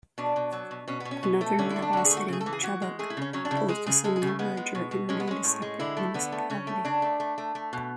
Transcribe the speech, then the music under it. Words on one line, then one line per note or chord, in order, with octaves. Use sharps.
Another nearby city, Chubbuck, opposed a similar merger and remained a separate municipality.
B2 D4
B2
F#3
B2
B2 C#4
B3
B2
C#4
B2
A3
D3 C#4
E4
A3
D4
D3 F#4
G#4
A3
F#4
C#3 G#4
A4
E3
G#4
E3 F#4
G#3
A3 G#4
E4
C#3 C#4
F#3 C#4
D4
C#3
E4
G#3 G#4
C#3 G#4
G#3 A4
G#4
C#3
A3
G#3 B3
G#3
B2
B2
G#3 C#4
B3
G#3 C#4
A2
G#3
D3 E4
A3
D3 B3
A3
C#3 C#4
A3
C#3 D4
A3
A3
A3
A3
B2